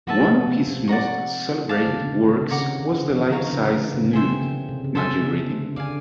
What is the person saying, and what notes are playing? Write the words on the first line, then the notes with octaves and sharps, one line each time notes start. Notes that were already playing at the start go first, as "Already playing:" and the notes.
One of his most celebrated works was the life-size nude, "Maggie Reading".
F3 F#4 B4 E5 A5
C3
C3
C3
D5 F#5 A#5 C#6
D5 F5 A5
D3
C#3
D#3
D3
C3
C#3 C#5 F#5 A#5 D6
D#3
D3
F3
E3
D#3
D3 C#5 F5 A#5
C#3
D3
C#3
C3
C#3 G#4 C5 E5 G5
C#3
C3
C#3
C3 A4 C5 E5 G#5
C#3
D3
D3 D5 F5 G#5